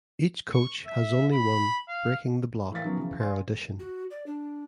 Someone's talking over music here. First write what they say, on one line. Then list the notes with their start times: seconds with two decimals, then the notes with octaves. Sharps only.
Each coach has only one "Breaking The Block" per audition.
0.52 C#6
0.86 E5
1.33 B5
1.88 F5
2.72 A2 E3 A#4 F5 A6 B6
2.84 D#3 F3 F#3 B3 C#4
2.97 C#3 E3
3.20 D5 F5 G#5 C6
3.79 F#4
4.11 D5
4.27 D4